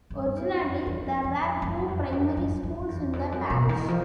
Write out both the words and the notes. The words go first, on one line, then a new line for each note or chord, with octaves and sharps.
Originally, there were two primary schools in the parish.
G2
F#2
F2
F2
F2
F#2
F2
F#2
F#2
F#2
E2
F2
F#2
B2
D#3
F3